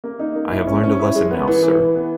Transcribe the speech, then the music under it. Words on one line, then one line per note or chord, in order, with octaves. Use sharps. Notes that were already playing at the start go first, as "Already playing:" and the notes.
I have learned a lesson now, sir.
A#3
D#4
A#3
E4
C#4
C#4
E4
G#3
B3
E3
E3
E3
B3